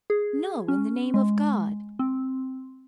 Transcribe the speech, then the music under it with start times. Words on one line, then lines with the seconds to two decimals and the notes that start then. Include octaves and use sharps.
No, in the name of God!
0.10 G#4
0.68 C#4
1.14 G#3
1.99 C4